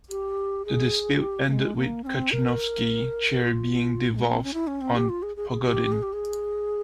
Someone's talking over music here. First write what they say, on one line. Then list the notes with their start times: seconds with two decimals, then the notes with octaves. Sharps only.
The dispute ended with Kachenovsky's chair being devolved on Pogodin.
0.10 G4
0.65 G#4
1.21 G4
1.49 A#3
1.52 G#3
1.76 A#3
2.04 C#4
2.07 C4
2.32 A#4
3.42 F4
4.15 G#3
4.24 A#3
4.34 C4
4.44 C#4
4.54 E4
4.67 C#4
4.81 C4
4.95 G4
5.09 F4
5.23 G#4
5.36 G#4
5.50 G#4
5.65 G4
5.92 G#4
6.03 G4
6.13 G#4